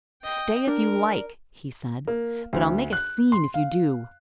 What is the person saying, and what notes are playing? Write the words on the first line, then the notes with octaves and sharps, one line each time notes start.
"Stay if you like," he said, "but I'll make a scene if you do."
D#5 G5
D4 A#4
A#3
D2
F#6
C6
F5